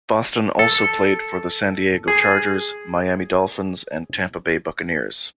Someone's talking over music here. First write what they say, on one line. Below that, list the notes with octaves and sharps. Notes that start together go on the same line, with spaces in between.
Boston also played for the San Diego Chargers, Miami Dolphins, and Tampa Bay Buccaneers.
A4
G#4